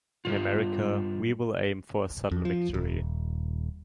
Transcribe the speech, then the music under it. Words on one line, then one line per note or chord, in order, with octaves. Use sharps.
In America we will aim for subtle victory.
G2 D#3 F4
F2
F3
D#1